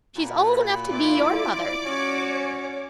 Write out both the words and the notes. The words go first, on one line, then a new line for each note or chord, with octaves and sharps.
She's old enough to be your mother.
A#2 F#4 B5
E4 F4 D5 D6
C#4 F#4 C#5